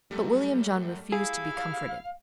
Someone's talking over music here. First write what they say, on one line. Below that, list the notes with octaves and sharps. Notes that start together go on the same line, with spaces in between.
But William John refused to be comforted.
F#2 G3 A3
E4 G#4 F5